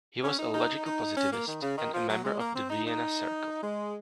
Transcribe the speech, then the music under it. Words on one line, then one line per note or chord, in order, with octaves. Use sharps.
He was a logical-positivist, and a member of the Vienna Circle.
C#4
D#4
D#4
D#4
C#4
A#3
D#3
C#3
D#3
F3
F#3
G#3
A#3
C4
D#4
D#4
G#3